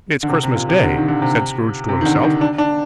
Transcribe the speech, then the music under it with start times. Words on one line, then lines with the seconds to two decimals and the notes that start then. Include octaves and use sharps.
'It's Christmas Day!' said Scrooge to himself.
0.23 D3
0.29 C3
0.43 C3
0.56 A#2
0.69 C3
0.82 D3
0.96 D#3
1.08 D3
1.22 C3
1.89 C3
2.01 D#3
2.06 D3
2.23 D#3
2.41 D4
2.58 D4